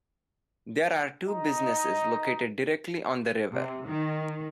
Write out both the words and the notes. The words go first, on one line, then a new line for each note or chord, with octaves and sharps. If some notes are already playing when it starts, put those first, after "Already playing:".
There are two businesses located directly on the river.
D#4 D#5 A#5
C3
D#3